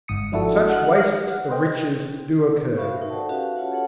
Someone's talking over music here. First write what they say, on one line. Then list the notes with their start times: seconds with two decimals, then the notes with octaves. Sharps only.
Such wastes of riches do occur.
0.08 G1 G#2 D#6 C#7
0.32 F3 D4 E4 F#4 A4
0.69 F#5 F6 F#6
1.49 B4 C5 D#5 G5
2.77 F#4 C5 E5 F5 B5 C#6
2.97 D#4 A#4
3.10 A4 C5 D5 F#5 G5 A5
3.29 C#4 F#4 G4 B4 E5 F5
3.56 F4 C#5 F#5 A5
3.72 G#4 A4 C#5 F#5 A5